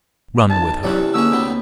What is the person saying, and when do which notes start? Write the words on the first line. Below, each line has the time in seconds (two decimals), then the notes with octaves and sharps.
Run with her.
0.50 B1 A5
0.83 E2 C3 E3 F#3 G3 C#4 F#6
1.14 D3 E3 A#3 C#4 D#4 G#4 E6
1.32 D2 C3 B3 C4 B5